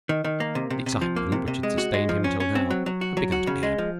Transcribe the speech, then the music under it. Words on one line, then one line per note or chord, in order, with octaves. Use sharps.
The excitement which had sustained him till now had begun to ebb.
D#3
D#3
A#3
C3
C3
C3
F3
A#3
C3
C3
G#3
F#4
G#3
F3
C#4
C#4
C4
F#3
F#3
F#4
F#3
F#4
C#3
G#3
F3